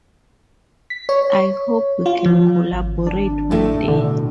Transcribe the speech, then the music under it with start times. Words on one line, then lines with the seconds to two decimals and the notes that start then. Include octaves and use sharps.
I hope we can collaborate one day.
0.90 B6
1.09 C#5
2.06 F4
2.26 F3
2.72 G#1
3.07 D4
3.51 A2 A3
3.88 B2 D3